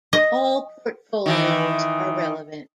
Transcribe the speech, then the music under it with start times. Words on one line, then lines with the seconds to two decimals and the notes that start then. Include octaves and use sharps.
All Portfolios are relevant.
0.13 D#5
1.26 D#3 E3